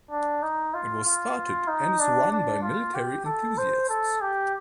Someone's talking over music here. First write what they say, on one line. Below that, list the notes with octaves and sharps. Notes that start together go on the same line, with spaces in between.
It was started and is run by military enthusiasts.
D4
D#4
F4
F4
D#4
D4
D4
F4
G4
A4
C5
A4
G4